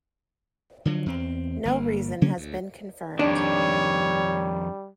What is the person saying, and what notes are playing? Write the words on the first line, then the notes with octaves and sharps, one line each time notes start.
No reason has been confirmed.
D3 F3 F#3
E2 C4
G1 A#3
C#3 F#3 A#3 C#4
D2
F2 D#3 G3 D4 C#5